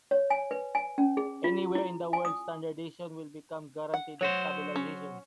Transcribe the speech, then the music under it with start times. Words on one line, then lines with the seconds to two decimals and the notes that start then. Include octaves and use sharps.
Anywhere in the world standardization will become guaranteed of stabilization.
0.11 C#5
0.30 G#5
0.51 B4
0.75 G#5
0.98 C#4
1.17 G#4
1.44 F4
1.75 E4
2.13 G#5
2.25 D#6
3.94 F#5
4.21 F#3 F#4 C5 C#5
4.76 C#4